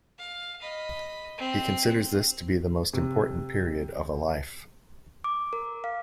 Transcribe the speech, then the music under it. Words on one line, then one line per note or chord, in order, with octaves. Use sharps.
He considers this to be the most important period of a life.
F5
D#5 B5
C4
C3
D6
A#4
F5